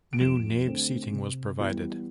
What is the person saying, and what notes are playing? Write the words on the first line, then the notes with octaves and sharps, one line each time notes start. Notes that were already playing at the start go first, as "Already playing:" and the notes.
New nave seating was provided.
D7
F2 E7
D3 A3 C4
C3
E3 G3 B3